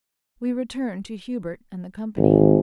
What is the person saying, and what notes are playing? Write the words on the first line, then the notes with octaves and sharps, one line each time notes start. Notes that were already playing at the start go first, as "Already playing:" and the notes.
We return to Hubert and the company.
G#1